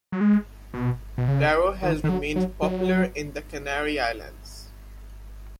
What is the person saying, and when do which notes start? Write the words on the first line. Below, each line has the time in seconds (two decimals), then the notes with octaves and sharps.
Taro has remained popular in the Canary Islands.
0.12 F#3
0.21 G#3
0.74 B2
1.18 B2
1.28 C#3
1.83 D#3
2.04 D#3
2.09 F#3
2.36 F#3
2.62 F#3